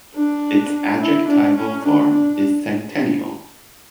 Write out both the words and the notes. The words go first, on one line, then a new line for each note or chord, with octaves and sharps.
Its adjectival form is centennial.
D4
E4
D4
C#4
D4
D4